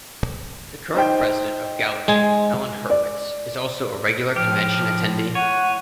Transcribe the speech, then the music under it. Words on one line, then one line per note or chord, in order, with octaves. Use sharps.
The current president of Gallaudet, Alan Hurwitz, is also a regular convention attendee.
D#4 C5 G5
G#3 G#5
D5
A2 F3 G4 F6
C#5 F#5 D#7